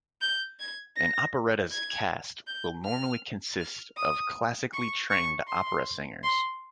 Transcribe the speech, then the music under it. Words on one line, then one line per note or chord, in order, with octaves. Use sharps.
An operetta's cast will normally consist of classically trained opera singers.
G6
G#6
A#6
G#6
G6
F6
F6
D#6
C#6
C#6
C6
C6